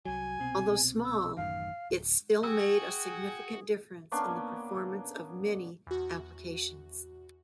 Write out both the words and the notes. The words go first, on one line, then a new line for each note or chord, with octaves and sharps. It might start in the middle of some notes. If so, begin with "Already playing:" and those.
Although small, it still made a significant difference in the performance of many applications.
C2 F#3 G#5
C2 B2 C4
E6
A1 F#2 D#3 F5
D1
F#4 G#4 G5 G#5 E6
A#3 B3 C#4 D4
E2 F#4